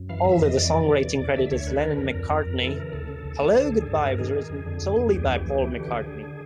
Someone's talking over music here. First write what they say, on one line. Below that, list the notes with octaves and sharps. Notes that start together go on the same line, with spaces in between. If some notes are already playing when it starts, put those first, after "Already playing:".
Although the songwriting credit is Lennon-McCartney, "Hello, Goodbye" was written solely by Paul McCartney.
Already playing: F#2
E3 F5
F2 E5
F2 D#5
E3 D5
B2
B2
E2
E2
D3 E5
D2 C#5
D3 B4
D3 A#4
F2 A#4
F2
F2
F2
E3 A4
C#3 A#4
D#2 A4
C#3
D#2
D#2
D3 A4
D#2 G#4
G2 A4
G2 A#4
D#3 G#4
D#3
F2
D3
F2
F2
D2 G4
G#4
E3
G4
D2 G#4
G4
E3
F#4
D3 G4
D3 G#4
D3